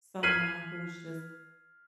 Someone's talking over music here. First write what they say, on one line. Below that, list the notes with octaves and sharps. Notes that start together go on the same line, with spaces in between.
someone who's just
F6 G#6 B6 C7 D#7 F#7